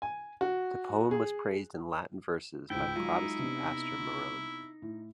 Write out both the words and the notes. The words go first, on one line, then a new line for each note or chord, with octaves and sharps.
The poem was praised in Latin verses by Protestant pastor Marron.
G#5
F#4
G#4
C#2 G#2 E4 G5
F#3 G#3 D#4 F4
C3 B3 D4
A2